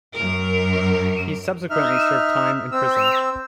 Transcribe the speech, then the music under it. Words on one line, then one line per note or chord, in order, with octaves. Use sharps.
He subsequently served time in prison.
F#2 A#4
D#4 E5 F6
C4 E6